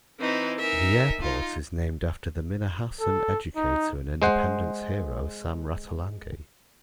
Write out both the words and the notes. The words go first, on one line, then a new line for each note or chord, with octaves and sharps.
The airport is named after the Minahasan educator and independence hero Sam Ratulangi.
E3 C4 D#4
D#4 A#4 E5 G#5
D#4 F4
A4
D#4
G#3 C5 F#5